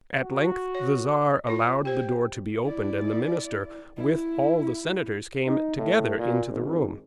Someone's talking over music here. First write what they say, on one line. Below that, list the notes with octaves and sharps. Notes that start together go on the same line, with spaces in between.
At length the Czar allowed the door to be opened, and the minister, with all the senators, came together into the room.
F#4
C#5
F4 C#5
G4 C5 G5
E4 D5
E4
D#4
A2
A#2
G#1